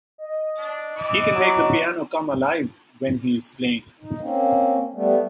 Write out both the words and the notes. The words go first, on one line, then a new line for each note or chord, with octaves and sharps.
He can make the piano come alive when he is playing.
D#5
D4
E3 E4 D6
F#3
D#4
A#3 C4 C#4
G3 A3 B3